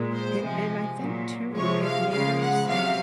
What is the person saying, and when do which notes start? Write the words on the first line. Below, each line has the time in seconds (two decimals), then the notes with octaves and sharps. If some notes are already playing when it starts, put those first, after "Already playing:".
And and I think too, it matters
Already playing: A#2 G#3
0.14 C5
0.42 C3 F3 G#3
0.98 A#2 F#3
1.54 C3 F3 G#3 C#5
1.83 F5
2.10 C#3 F3 G#3 F5
2.39 F#5
2.67 C3 F#3 F5